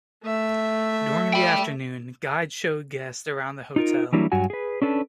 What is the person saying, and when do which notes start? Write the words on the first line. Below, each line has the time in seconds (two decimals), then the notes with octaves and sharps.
During the afternoon, guides showed guests around the hotel.
0.23 A3 E5
1.33 G5 B5
3.76 D#4 F4 A#4
4.12 E3 F#3 G3 A#3 D4 E4
4.32 G2 F#3 F#4 G#5
4.50 G#4 B4
4.82 C#4 D4 A4 B4